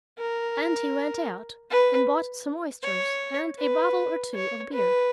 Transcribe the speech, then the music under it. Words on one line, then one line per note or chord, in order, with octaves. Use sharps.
And he went out and bought some oysters and a bottle or two of beer.
A#4
B4
C#5
B4
C#5
B4